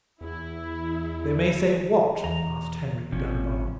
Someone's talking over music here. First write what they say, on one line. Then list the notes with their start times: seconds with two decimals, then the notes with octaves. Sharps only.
"They may say what?" asked Henry Dunbar.
0.21 E2 E4
2.24 E2 A#5
3.12 G#1 C3 F3 C#4